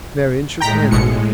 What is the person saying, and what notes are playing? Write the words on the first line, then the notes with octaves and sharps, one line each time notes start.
Marian shook hands with him.
A2 G#3 G5 A#5 B6
G#1 B2 C#7